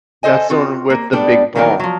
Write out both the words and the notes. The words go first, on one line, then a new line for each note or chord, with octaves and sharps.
that's the one with the big ball
A4 C5 D#5 G#5
C4 F4 F#4
A#3
G3 B3 D4 A4
D#3 E3 F#3 B3 D#4 A#4
F3 F#3